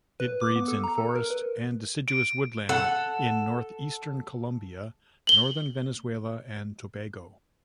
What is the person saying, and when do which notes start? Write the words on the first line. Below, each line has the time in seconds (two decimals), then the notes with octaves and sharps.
It breeds in forest and deciduous woodland in northeastern Colombia, northern Venezuela and Tobago.
0.20 B4
0.41 D6
0.56 B3
0.68 A4
0.84 A#5
0.98 A4
1.15 A#4
1.30 B4
2.08 D7
2.69 A4 F#5
5.27 F#7 G7